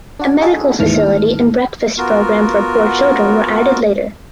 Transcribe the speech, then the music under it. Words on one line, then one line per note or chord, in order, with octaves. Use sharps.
A medical facility and breakfast program for poor children were added later.
D4 F#4 D5
D#4 E4 F#4 G#4 A4 E5
D#2 G#2 E3 A5 F6
B3 F4 F#4 A#4